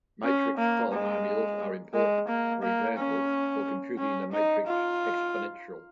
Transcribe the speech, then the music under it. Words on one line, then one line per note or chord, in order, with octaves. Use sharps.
Matrix polynomials are important for example for computing the Matrix Exponential.
C#4
A#3
G#3
G#3
A#3
A#3
C#4
C#4
D#4
F4